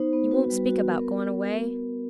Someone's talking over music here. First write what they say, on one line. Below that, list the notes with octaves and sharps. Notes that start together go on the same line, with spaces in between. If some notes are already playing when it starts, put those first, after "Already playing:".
You won't speak about goin' away?'
Already playing: B3 D#4 C5
B3
F#4 B4
G3
F#4
B3 A#4